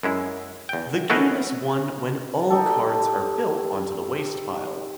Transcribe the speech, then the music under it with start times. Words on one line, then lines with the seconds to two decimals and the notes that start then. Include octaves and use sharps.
The game is won when all cards are built onto the waste pile.
0.03 F#2 G#3 E4
0.69 E2 G5
1.10 A3 D#4 F#4 G#4 A#4 B4
2.49 D#4 G4 A4 A5